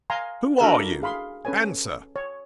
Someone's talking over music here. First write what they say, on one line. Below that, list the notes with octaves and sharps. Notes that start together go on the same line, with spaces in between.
Who are you? Answer!
F5 G#5 A#5 C6
D4 E4 F#4 A4 A#4 E5
G#4 F5 B5 C6
C#4 A4 B4 C#5 G#5
C#5